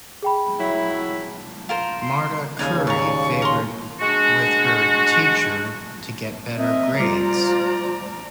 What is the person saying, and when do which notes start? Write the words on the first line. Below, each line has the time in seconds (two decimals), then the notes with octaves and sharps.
Marta curry favored with her teacher to get better grades.
0.22 G#4 G5 B5
0.59 F#3 E4
1.69 F4 A#4 C5
2.00 C6
2.59 D#2 C#3 D#4 D5 G#6
2.87 D5 A#5 C#6
3.42 A#4 C6
4.01 G#3 D4 F#4
6.57 C4 A#4 D#5 E5
6.99 G3 F4 C5 D5 A#5 D6 F6